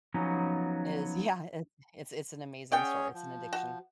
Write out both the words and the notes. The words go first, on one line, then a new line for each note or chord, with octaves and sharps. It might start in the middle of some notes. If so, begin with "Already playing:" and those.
Is yeah, it's it's it's an amazing store, it's an addiction.
F3 F#3 B3 C#4 D#4
C#4 G#4 C#5 D5 F#5 G5
F3
F#4